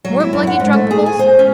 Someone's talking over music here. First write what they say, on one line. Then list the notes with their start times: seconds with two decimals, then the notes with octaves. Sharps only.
More bluggy drunkables?
0.05 F#3
0.20 E4
0.33 F#2
0.47 F#5
0.60 G#2
0.73 A3
0.91 G#4
1.06 G#5
1.19 C5
1.39 C#4